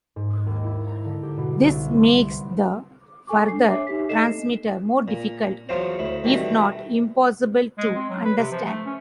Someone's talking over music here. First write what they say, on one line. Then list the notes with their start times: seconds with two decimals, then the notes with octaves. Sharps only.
This makes the farther transmitter more difficult, if not impossible, to understand.
0.16 G#2
0.46 D#2
0.65 E4
0.87 A#5
1.05 D3
1.23 G4
1.38 B2
1.62 C2
1.97 C6
2.12 C2
2.30 B3
3.27 A4 G#5 C#6 D6
3.48 D4 C7
3.70 C#5 E5 D6
3.87 D#4 G4 B6
4.09 D#4 A4 D#5 C7 E7
5.08 A#2
5.69 E2 F3 F#3 F4 C5 C#5
5.99 D2 E4
6.24 B2 D#3 E3 G3 A3
7.78 G#3
7.95 C4
8.09 F#3
8.25 B4
8.38 C3
8.52 F3
8.66 A3
8.86 C#4